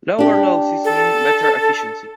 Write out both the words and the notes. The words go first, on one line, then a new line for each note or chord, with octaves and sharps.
Lower losses mean better efficiency.
D4 G4
A4